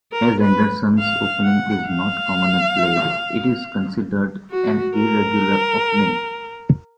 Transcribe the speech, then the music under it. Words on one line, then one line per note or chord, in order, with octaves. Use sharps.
As Anderssen's Opening is not commonly played, it is considered an irregular opening.
A#4
B4
F5
F#5
F5
F#4
A#4